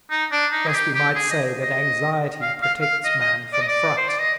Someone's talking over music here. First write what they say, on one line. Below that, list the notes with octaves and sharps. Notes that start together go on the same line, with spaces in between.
Thus we might say that anxiety protects man from fright.
D#4
D4
D#4
G#4
G4
G4
G#4
D#5
D#5
F5
F5
F5
D#5
D#5
D5
D#5
D5
C5
D5
D#5